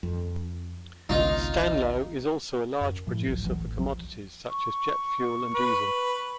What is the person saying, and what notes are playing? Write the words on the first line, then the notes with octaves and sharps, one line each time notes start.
Stanlow is also a large producer for commodities such as jet fuel and diesel.
F2
G#1 C#2 B2 D#4 F4
F#2
A2 F3
G1 C#2 A2 F#3
G1 C#2 E3 F#3
A1
A#1 E2 F3 F#3
C#6
B4